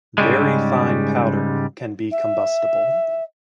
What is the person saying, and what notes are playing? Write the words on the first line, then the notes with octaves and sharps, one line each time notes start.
Very fine powder can be combustible.
G#2 C#3 G3 G#3
E5